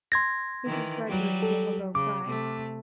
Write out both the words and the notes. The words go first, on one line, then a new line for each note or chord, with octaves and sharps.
Mrs. Greggory gave a low cry.
C6 G#6 A#6
D#3 E3
F#3 G3
A4
C#3 D6
C3 A3